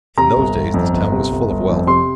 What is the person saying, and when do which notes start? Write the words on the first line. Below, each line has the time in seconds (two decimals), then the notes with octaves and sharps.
In those days this town was full of wealth.
0.18 C3 A#5
0.36 G1
0.56 G1
0.74 F2
0.93 G1
1.12 C3
1.31 G1
1.50 G1
1.69 F2
1.87 C3 C6